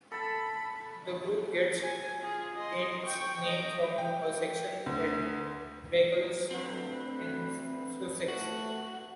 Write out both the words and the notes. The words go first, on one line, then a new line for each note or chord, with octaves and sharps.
The Group gets its name from a section at Bracklesham in Sussex.
A4 A5 B5
G#5
F4 G#4
D#5 C6
G5 C#6
D#5 D7
G5
D2
D2 C4 B4
A3 F#4